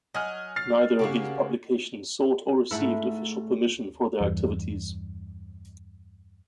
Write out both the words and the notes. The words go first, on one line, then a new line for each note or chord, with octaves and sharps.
Neither of these publications sought or received official permission for their activities.
F#3 D#5 G#5 F6
F6 A6 C7
C#3 A#3 F#4 G4
G#2 A3 E4
E2 G2